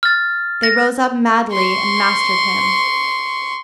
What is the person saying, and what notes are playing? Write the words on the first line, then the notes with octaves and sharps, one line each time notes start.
They rose up madly and mastered him.
F6 A6
A#6
C6 C#6